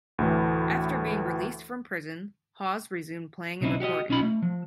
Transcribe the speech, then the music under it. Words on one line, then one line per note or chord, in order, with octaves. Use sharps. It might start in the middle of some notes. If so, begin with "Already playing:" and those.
After being released from prison, Hawes resumed playing and recording.
D2 A2 E3
B1 C#3 C4 D#4 E4
F#4 G4 D5 D#5
B1 C#4 D#4 F4 B5
A3
F3